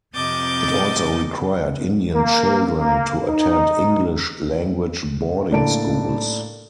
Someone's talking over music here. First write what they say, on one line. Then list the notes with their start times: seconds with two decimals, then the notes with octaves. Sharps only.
It also required Indian children to attend English-language boarding schools.
0.15 F2 C3 D#5 D6 G6 A6
2.13 A#3
2.79 A#3
3.26 D#4
5.51 A2 A#3 D4 E4 A5 D7